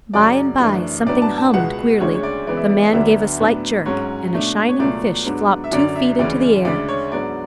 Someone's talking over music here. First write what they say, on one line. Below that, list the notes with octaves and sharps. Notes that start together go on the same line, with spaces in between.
By and by something hummed queerly, the man gave a slight jerk and a shining fish flopped two feet into the air.
F#2 C#3 F#3 D5
F#2 E3 A3 D4
A2 F#3 B3 D4 D5
A5
A5
C#2 B2 G#3 B3 F#5
D2 C#3 G#3 D4 C#5
C#5
D5
C#3 E3 G#3 B3 D5
E5
D5
D2 D3 F#3 B3 D4 E5
A2 F#3 B3 D4
G#2 F#3 C#4 C#5
B2 A3 D4
C#5
C#2 B2 F#3 A3 D5
G#2 F#3 B3 D4
E5
F#2 D3 F#3 C#4 D5
E5
D2 C#3 E3 G#3 C#4 D5
D2 C#3 G#3 D4 D5
C#5
G#2 F#3 B3 D4 D5